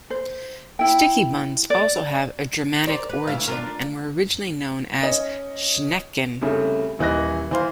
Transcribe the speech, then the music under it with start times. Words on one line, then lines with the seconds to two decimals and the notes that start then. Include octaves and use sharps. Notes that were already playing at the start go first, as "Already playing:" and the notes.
Sticky buns also have a Germanic origin and were originally known as ""Schnecken"".
0.10 C5
0.79 E4 G5
1.70 D5
2.87 A#4 C5 D5
3.09 B4
3.27 D2 E4 F5
3.48 D4 F4 A#4
5.03 C#4 C#5 D#5
6.41 C2 C#3 A3
6.99 D#1 E3 D#5 F#6 A#6
7.51 E3 C5 F5